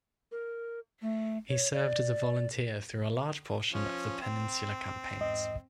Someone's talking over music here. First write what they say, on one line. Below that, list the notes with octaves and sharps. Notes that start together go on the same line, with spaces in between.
He served as a volunteer through a large portion of the Peninsular campaigns.
A#4
A3
C#5
D5
F3 C#4
C4
E2 G#2 D#5